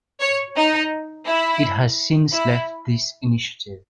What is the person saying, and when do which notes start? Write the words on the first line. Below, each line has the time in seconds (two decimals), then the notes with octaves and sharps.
It has since left this initiative.
0.20 C#5
0.56 D#4
1.27 E4
2.32 E4